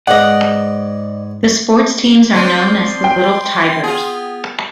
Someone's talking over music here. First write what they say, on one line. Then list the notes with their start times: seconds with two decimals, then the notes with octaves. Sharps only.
The sports teams are known as the 'Little Tigers'.
0.07 G#2 B3 D5 D#5 F#5
2.34 F3 C4 D4 C6
3.04 G5
3.84 B3 F4 G#4